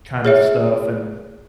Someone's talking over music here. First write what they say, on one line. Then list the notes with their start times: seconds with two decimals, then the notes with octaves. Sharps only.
kinda stuff, and,
0.25 G#4 C#5 E5